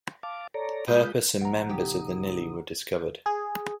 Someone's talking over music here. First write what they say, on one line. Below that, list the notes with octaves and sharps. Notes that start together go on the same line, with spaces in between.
The purpose and members of the Nili were discovered.
F5 A5 D6
A4 C#5 D5 A#5
G#3 F4 B5 D#6 G6
A#1 F#5 A#5
C#3 D#4 G4 D#6
G#4